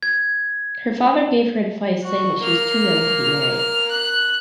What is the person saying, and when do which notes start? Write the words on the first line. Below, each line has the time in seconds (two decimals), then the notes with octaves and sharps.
Her father gave her advice saying that she was too young to be married.
0.03 G#6
2.03 F#4
2.42 A#3 F6
3.91 F#6